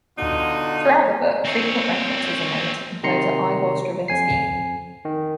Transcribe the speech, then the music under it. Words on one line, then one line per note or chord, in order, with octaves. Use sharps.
Throughout the book, frequent references are made to composer Igor Stravinsky.
B2 D3 D#4 F4 F#4
C4 C#5
C3 D#3 A#5 C6 C#7
F2 G#5 C7
D#3